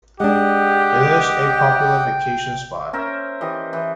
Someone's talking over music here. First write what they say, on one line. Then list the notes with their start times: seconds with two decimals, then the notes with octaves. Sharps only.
It is a popular vacation spot.
0.20 G#3 D4 G4 D#5 F#5
1.48 G5
2.93 C#4 A#4 C5 E5
3.41 E3 G4 D#5
3.73 E3